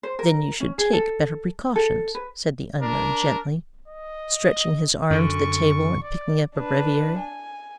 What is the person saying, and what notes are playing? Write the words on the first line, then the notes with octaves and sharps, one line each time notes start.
"Then you should take better precautions," said the unknown gently, stretching his arm to the table and picking up a breviary.
C5
A#4
C#4
G#4
A4
A4
B4
D4 A#4
D#5
F#2 D3 C#6
D5
D4 B4
G#5